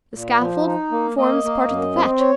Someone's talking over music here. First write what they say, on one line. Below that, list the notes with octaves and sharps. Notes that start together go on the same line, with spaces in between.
"The scaffold forms part of the fete."
A#2
F3
D#4
A#3
A#3 D#5
A#3
F#2
C4
C#5